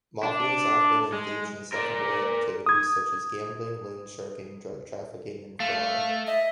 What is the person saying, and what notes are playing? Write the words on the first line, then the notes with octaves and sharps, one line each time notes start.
Mafias often engage in secondary activities such as gambling, loan sharking, drug-trafficking, and fraud.
D4
G#3
A#4 D5
D#6 G#6
A3 F5
D#5 E5